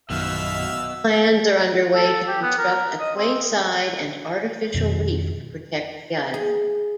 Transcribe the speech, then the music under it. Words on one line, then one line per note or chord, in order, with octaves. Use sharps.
Plans are underway to construct a quayside and artificial reef to protect the island.
A#1 F#2 B2 D#3 E5 F5 E6
A4
G4
B3
A#4
D#5
C4
F2 B2 D#3
G#4